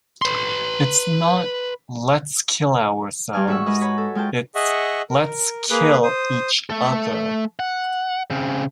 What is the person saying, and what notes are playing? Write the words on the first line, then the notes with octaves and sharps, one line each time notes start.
It's not 'Let's kill ourselves'; it's 'Let's kill each other'...
B4 C6
G2 G3 D5 G#5 F6
G#2 F#4 E5 F#5 C#6 E6
G#3 A#4 B4 D#5
B4 C#5 A#5 B5
A4
G#3 F4 G5 A5
G#4 D#5 E5 F#5 C#6
A#4
A#3 G#4 B4
C5 D#6
A3 A4
F#5
C#3 C4